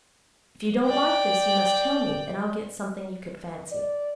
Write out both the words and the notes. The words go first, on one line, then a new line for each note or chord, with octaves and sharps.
If you don't like this, you must tell me, and I'll get something you could fancy.'
D5 G5
D5